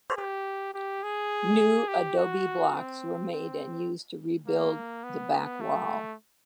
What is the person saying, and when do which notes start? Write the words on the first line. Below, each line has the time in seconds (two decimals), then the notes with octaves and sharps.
New adobe blocks were made and used to rebuild the back wall.
0.17 G4
0.74 G4
1.03 G#4
1.88 G4
2.17 F#4
2.75 C4
3.32 C4
4.46 A#3
5.04 B3
5.61 A3